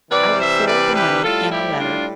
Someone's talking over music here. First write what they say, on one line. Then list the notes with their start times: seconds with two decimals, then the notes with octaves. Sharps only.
I will forward the money and a letter.
0.11 C3 E3 G3 B4 D5
0.39 C5 E5
0.67 B4 D5
0.95 G4 B4
1.23 A2 G3 F4 A4
1.51 E4 G4
1.79 D4 F4